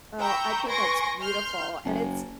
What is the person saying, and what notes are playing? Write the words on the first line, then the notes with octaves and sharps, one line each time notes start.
Oh, I think that's beautiful, and it's
G5 A#5 B5 C#6 E6 G6
B4 G#5 C6 C#6 A#6 D7
C6 F6 G6 C7
F#1